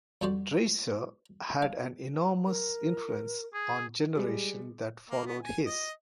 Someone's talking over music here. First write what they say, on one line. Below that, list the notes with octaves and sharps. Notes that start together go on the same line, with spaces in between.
Dreiser had an enormous influence on the generation that followed his.
F2 G3 F#4 G4 D5 C6
F5
A#4
G#4
G3 G#3
A#3
B3
G#5
D#5